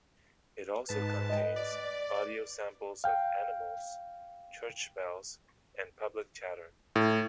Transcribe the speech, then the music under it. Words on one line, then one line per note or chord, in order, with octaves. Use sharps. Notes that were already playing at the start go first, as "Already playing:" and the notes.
It also contains audio samples of animals, church bells, and public chatter.
G#2 B4 A5
D#5 G5
D5
F5 G5
A2